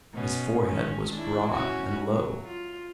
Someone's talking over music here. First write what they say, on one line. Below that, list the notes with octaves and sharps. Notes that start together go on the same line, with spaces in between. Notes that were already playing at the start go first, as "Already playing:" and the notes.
His forehead was broad and low.
B2 C#4
D#3 G#3 C#4
D4 E4
C#4 E4 F#4
F#3
F4